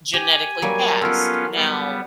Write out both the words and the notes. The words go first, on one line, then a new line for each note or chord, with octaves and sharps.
Genetically passed. Now,
G4 G#5
F#3 G3 A#3
B3 C#4 F4 A4 A#4
G3 B3